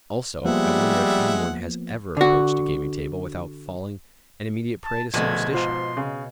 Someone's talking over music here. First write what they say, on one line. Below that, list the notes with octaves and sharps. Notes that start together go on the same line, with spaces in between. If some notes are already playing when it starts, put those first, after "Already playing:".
Also, I wonder if any one has EVER approached a gaming-table without falling an immediate prey to superstition?
F3 G3 G#3 A#3 B3 E5 F#5
D3 F#4
A5
A#1 B2 D3 A3 G#6
G#2 F3 C6
C#3